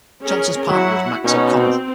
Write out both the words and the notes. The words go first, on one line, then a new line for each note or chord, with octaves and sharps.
Johnson's partner was Max O'Connell.
C#4 G#4 A#4
F#3 E4 F#4 F#5
B2 C#4 D#4 F#4
C4